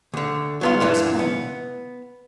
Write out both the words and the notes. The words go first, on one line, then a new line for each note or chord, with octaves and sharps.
I'll explain.
D2 D3
F#3 B3 F4
F#2 A#2 E3 D4
B3